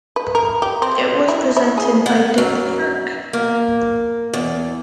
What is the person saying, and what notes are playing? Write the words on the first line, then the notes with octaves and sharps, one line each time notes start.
It was presented by Dick Clark.
B4
A#4
G4
C4
E4
E4
G#4
B3
F#2
A#3
E2